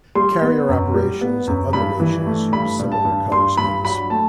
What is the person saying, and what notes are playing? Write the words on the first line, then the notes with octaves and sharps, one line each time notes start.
Carrier operations of other nations use similar color schemes.
G3 C6
B3
F#2
G3
B3
F#2
G2 B5
E3
A3
G2 B5
G2
A5
G2
G2 C6
G2 B5
F#3 B5
A3 A5